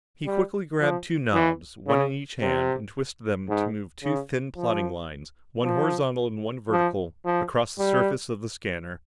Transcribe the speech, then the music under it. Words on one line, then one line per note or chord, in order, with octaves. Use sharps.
He quickly grabbed two knobs, one in each hand, and twisted them to move two thin, plotting lines, one horizontal and one vertical, across the surface of the scanner.
G3
F3
E3
C#3
C3
G#2
C#3
F3
F3
F3
F3
G3